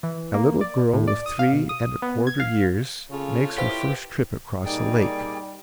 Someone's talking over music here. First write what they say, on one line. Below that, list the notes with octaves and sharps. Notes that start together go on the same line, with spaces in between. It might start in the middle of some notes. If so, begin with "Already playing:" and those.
A little girl of three and a quarter years makes her first trip across a lake.
E3
A#3
D5
A2
D5
D#6
F5
B2
D#6
B3
G#6
F5
C#3 F4 A4 C#5
E4 G4 B4 C5 F5
G3 A#3 D#4 G#4 D5 G5